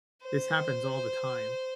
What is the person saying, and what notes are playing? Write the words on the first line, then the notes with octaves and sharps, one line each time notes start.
this happens all the time.
C5